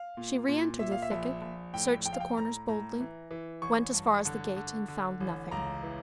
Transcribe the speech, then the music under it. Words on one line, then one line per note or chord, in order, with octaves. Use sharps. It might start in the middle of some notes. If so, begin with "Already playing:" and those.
She re-entered the thicket, searched the corners boldly, went as far as the gate, and found nothing.
Already playing: F5
A#2
A#2
A#2 E5
F5
E5
A#1
A#1
A2 G5
A#1 G5
F5
G5
A2 A#5
A2 A#5
E3
E3
A1 C#6
G2
D3
D3
D3
A1
C#2 A#5
E3